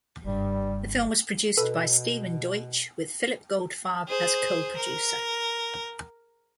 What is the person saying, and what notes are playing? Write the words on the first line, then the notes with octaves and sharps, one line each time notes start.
The film was produced by Stephen Deutsch, with Phillip Goldfarb as co-producer.
F#1 G2 G3
B2 A4 B4
G#4 C5
A#4